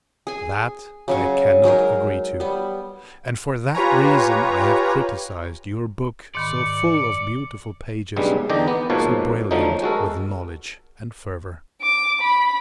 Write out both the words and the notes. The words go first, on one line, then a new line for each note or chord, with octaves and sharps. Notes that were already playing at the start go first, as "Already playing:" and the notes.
That I cannot agree to; and for that reason I have criticised your book, so full of beautiful pages, so brilliant with knowledge and fervor!
G#4 G#5
C#3 F#3 C#6
F#3 G#3 D#4 A#4
G3 B3
F4 G4 B4 C#5 G#5 A#5
G#2 D#3 D5 B5 C#7
B1 G2 C#3 G3 G#3
E2 D3 D#4 D5 G5 A#5
B3
G#2 B2 F3 A#3 C#5 A5
D3 F3 F#3 A3 D#4
G#3 F#4 A4 A#4
D6
B5